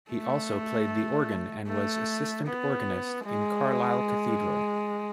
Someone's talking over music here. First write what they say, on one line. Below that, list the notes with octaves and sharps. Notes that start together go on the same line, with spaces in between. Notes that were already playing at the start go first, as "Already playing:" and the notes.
He also played the organ and was assistant organist in Carlisle Cathedral.
A3
A3
B3
G#3